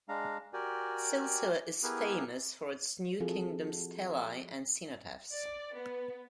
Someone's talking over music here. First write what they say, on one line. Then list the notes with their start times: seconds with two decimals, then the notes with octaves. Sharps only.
Silsila is famous for its New Kingdom stelai and cenotaphs.
0.09 G#3 D4 F5 A#5
0.53 F#4 G4 A#4 D5 G5 G#5
1.83 B3 E4 G4 G#4 A#4 B4
3.20 F3 C4 F4 F#4 G#4 A4
5.32 D5
5.75 B3